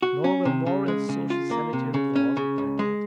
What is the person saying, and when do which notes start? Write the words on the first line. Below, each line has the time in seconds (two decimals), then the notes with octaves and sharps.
Nor were moral and social sanitary laws neglected.
0.03 F#4
0.24 C#4
0.45 C3
0.66 C#3
0.88 G#3
1.09 C#3
1.30 F4
1.51 A#3
1.73 C3
1.94 C#3
2.16 C#4
2.37 C#3
2.58 C#2
2.79 G#3